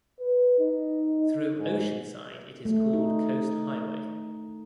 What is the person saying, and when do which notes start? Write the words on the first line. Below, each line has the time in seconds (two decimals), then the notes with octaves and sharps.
Through Oceanside it is called Coast Highway.
0.19 B4
0.59 D#4
1.58 G#2
2.65 A3
2.94 D#4